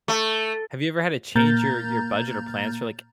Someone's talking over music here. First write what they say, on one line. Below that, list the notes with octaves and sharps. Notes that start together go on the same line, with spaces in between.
Have you ever had to change your your budget or plans for, like,
A3
A#2 A#3 A#5 F6 G6 A6